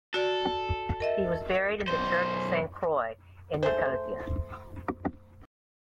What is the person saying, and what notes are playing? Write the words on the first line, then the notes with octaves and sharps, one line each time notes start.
He was buried in the Church of Saint Croix in Nicosia.
F#4 A4 D5
A#4 D#5 E5
B1 C5
A3 G#4 C5